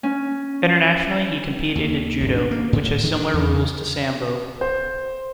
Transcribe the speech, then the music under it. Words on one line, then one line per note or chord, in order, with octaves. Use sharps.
Internationally he competed in judo, which has similar rules to sambo.
C#4
D#2
G#1
D4
A#3
A2
D#3
D4
E2
C#3
C5